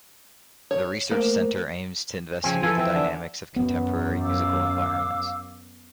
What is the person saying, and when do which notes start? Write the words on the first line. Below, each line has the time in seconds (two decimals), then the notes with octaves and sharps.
The Research Centre aims to investigate the dynamics of contemporary musical environments.
0.71 C#5
1.11 A3 A#3 A#4 C5
2.44 C#3 F3 C4 G#5
2.63 E3 F3 F4 A4 G#5
2.77 C4 E5 G#5
2.95 D3
3.56 F#2 B3
4.21 F5 D6 E6